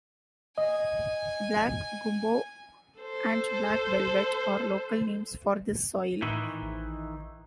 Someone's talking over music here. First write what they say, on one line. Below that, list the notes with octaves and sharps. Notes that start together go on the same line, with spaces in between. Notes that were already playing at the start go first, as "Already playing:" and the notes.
"Black Gumbo" and "Black Velvet" are local names for this soil.
D#5 G#5
A4 C5
A2 D#3 E3
A1